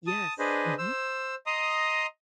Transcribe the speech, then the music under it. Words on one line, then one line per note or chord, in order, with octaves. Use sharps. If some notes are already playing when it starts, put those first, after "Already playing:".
Yes, mhm.
A5 D#6
D4 G#4 B4 C5 D#5
C5 E6
D#5 A#5 C6 D#6